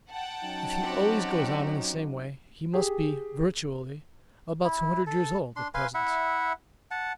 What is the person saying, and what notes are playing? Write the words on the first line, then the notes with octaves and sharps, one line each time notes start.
If he always goes on in the same way, he must be, virtually, about two hundred years old, at present.
F#5 G5 A5
F#3 C#4 D#4
C4 F#4 G4
G4 G#4
E4
A4
D4 C6
B4 F5 G#5 C6
E4 E5 F#5
F#5 A5